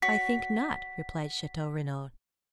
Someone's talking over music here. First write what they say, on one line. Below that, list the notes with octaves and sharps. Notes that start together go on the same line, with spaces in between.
"I think not," replied Chateau-Renaud.
F#4 C#5 B6